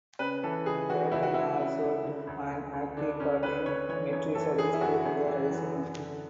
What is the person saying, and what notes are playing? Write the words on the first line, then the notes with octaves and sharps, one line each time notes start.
Patten also took an active part in military service during the rising.
C#3 B4
E3 A4
C#2 G#4
E3 F#4
C#2 E4
F#4
C#2 E4
C#3
C#2
D3
D2
D2
D2
D3 D4
D2 C#4
D3 B4
D3 C#5
E3 C#5
F#2 C#5
E3 A4
E3 G#4
E4
F#2 F#4
F#2
E3
E3
F#2
D3